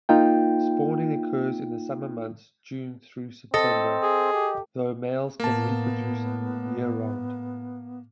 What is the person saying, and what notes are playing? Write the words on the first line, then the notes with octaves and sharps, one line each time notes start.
Spawning occurs in the summer months, June through September, though males can reproduce year-round.
A#3 D#4 F4 G5
C4 A4 D#5
G#4
G4
A2 A#3 B3 A5